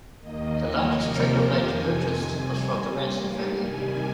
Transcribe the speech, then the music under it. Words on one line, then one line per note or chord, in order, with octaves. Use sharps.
The largest tract of land purchased was from the Ranson family.
D#2 D#3 A#3 D#5
C#5
C3 F3 A#3 A#4
C5
F2 C3 D#3 G#5
C3 G3 C4
G2 G3 A#3
C3 D#3 G3 G#5